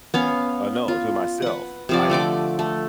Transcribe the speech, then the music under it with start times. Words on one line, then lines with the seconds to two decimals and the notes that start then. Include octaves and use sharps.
Oh, no, to myself, I
0.14 B3 C#4 F5
0.88 F4
1.42 B4 F#5
1.89 C3 F3 D5
2.10 D3 A3 D5 D6
2.59 A3